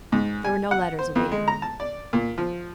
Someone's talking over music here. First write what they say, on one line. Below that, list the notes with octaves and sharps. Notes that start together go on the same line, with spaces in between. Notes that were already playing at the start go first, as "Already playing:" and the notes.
There were no letters awaiting him.
G#2
G#5
F#5
C5
F2
G#3
A#5
A5
D5
A#2
F3